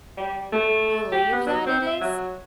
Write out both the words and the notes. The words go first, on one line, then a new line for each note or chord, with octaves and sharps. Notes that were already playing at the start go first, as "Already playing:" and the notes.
believe that it is,
G3
A3
G4
B3
F#3
C4
E5
F#3